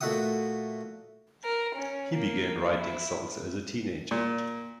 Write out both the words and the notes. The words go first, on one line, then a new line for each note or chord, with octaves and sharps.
He began writing songs as a teenager.
A#2 A3 F#4 E5 F#5 D#6
A#4
C#4
A#3
E4
A#2